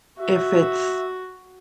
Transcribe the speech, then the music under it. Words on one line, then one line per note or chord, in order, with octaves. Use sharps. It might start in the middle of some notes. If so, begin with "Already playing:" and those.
if it's
F#4 E5